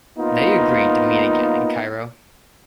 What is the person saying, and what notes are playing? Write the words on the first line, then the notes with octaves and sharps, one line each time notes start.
They agreed to meet again in Cairo.
A#3 B3 D#4 F4